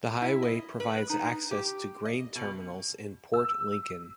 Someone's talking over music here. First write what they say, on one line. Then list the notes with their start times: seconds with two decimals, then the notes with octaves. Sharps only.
The highway provides access to grain terminals in Port Lincoln.
0.22 E4
0.42 D#5
0.80 B4
1.10 D#4
1.51 G4
2.05 D#5
2.36 B2
3.34 E6